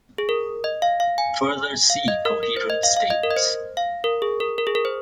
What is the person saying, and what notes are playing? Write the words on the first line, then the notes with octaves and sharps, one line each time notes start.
Further see coherent states.
G#4
A#4
D#5
F5
F5
G#5
F5
D#5
A#4
A#4
C5
D#5
F5
F5
D#5
A#4
D#5
C5
F5
A#4
G#4
A#4
A#4
G#4
A#4
C5